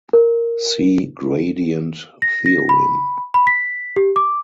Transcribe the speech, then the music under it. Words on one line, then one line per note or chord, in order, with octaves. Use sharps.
See gradient theorem.
A#4
A#6
A#6
B5
B5
B6
G4
D6